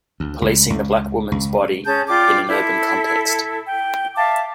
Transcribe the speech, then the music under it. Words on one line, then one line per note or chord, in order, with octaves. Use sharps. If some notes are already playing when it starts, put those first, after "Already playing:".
Policing the Black Woman's Body in an Urban Context.
D2
C#2
C#2
C#2
C#4 G#4 A5 G6
F4 D5 G5 D6
E4 A4
G5
E5 F5 A5 D6